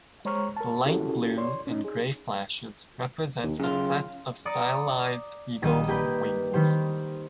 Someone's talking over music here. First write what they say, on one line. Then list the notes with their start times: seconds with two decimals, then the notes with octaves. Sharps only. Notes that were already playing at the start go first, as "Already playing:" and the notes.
The light blue and grey flashes represent a set of stylised eagle's wings.
0.25 G#3 C5 C#5 A#5 C#6 F6
0.56 A#4 A5
0.86 C#4 E4 F#4 G4 A4 A#4
1.38 C#5 D5 C6
1.67 C#4 D#4
1.85 G#4
3.43 D#2
3.60 F#2 C#3 F4
4.45 D5 A#5 D#6 A6 C#7
5.62 A#1 D#3 G3 D#5 D#7 E7
5.87 A#3 G4 B4 G5
6.53 D#3 G3 G4 C5